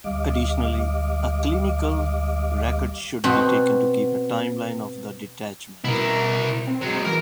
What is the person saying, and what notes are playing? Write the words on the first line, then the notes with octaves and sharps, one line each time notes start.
Additionally, a clinical record should be taken to keep a timeline of the detachment.
D2 G3 D#5 F5 D6
B2 C4 F#4
B2 E4 A#4
C4
F#3 G#3
E3 A#4